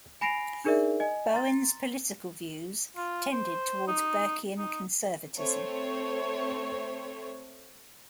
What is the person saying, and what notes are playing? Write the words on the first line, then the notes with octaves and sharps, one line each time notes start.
Bowen's political views tended towards Burkean conservatism.
G#5 B5 A#6 C7 D7 F7
D4 D#4 G#4 A#4 D5 E5
D#5 G#5
A#5 C6 A6
F4
C5
D#4
D#4
A3 C4 C5 C#5